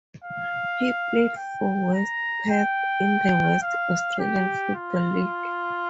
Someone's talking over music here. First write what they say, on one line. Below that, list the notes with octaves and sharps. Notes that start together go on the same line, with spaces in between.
He played for West Perth in the West Australian Football League.
F5
G5
A#5
G5
F5
G4
F4